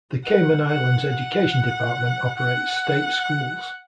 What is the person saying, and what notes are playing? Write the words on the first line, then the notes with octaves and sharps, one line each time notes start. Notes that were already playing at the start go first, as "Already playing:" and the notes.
The Cayman Islands Education Department operates state schools.
F#5
F#5
F#5
F#5